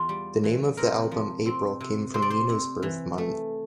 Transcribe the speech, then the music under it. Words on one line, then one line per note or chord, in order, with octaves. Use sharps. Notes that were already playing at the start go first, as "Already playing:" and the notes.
The name of the album "April" came from Nino's birth-month.
Already playing: E2 F4
G3
E3
C3 A#4
F3
C4
C3
C3 C5
D5
C5
C3
E3
A3